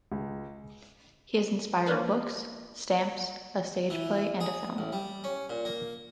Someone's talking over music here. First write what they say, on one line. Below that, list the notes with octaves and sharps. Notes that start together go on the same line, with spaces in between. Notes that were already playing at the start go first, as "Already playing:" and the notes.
He has inspired books, stamps, a stage play and a film.
C#2
A#3 C#4 D4 F4 B4 C5
E3
G#4
A1
G3
C#4
A#2
A#3